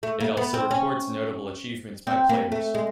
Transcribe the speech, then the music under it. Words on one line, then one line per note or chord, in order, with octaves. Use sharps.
It also records notable achievements by players.
A3
A#3
B3
C4
C#4
C4
A#3
A3
G#3